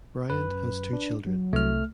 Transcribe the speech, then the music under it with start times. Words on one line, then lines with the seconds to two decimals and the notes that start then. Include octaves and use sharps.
Bryant has two children.
0.30 F#2 B4
0.93 D4
1.26 F#3
1.53 C2 A3 F6